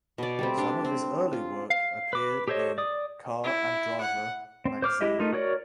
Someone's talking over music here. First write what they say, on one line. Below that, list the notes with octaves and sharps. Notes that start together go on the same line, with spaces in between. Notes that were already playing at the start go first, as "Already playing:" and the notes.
Some of his early work appeared in "Car and Driver" magazine.
B2 D5
G3 A3 C4
D4 G4
C4
F4
F5
B4 D6
G4 A4 C5 C#5 D#5
D5 D#6
E4
F#5
C4
C5 D6 F6
G#3 E4 G4 D#5 E5
A3 D#4 F4 A#4
F#4 A#4 C#5 D5